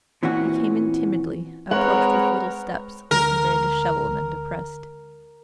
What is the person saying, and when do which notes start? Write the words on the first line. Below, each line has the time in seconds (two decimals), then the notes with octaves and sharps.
He came in timidly, approached with little steps, looking very disheveled and depressed.
0.23 A#2 E3 C4 C#4 F#4
1.71 G#3 C4 G#4 A#4 B4 C#5 F#5
3.11 D2 D3 G#3 A#4